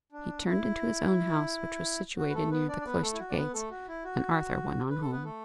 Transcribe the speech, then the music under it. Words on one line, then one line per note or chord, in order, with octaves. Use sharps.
He turned into his own house, which was situated near the cloister gates, and Arthur went on home.
D4
E4
F#4
B4
A3 A4
B3 B4
D4 D5
D5
B3 B4
A3 A4
E4
F#4
D5
B3 B4
A3 A4
F#4
E4
F#4
B4
A4
B3 B4
A3 A4